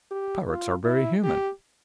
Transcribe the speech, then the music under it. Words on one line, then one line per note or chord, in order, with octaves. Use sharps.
Parrots are very human.
G4
F4
E4
G4